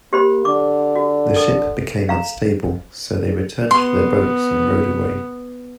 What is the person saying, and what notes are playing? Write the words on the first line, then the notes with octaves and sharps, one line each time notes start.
The ship became unstable, so they returned to their boats and rowed away.
A#3 G4 C5 B5
D3 D6
F#4
A4
F5 A#5
B3 C6